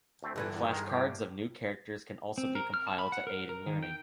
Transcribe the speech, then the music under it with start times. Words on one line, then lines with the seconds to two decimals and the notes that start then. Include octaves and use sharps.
Flashcards of new characters can also be compiled to aid in learning.
0.23 D2 A3 C4
0.36 G1 G2 D3 E3 B4 G#5
0.54 E2
0.72 D#3 G#3
0.89 A2 A#3 G4
2.38 C4
2.55 A#4
2.74 F6
2.87 A5
2.99 B5
3.12 F#5
3.27 A#4
3.49 A#4
3.67 D#3
3.83 G5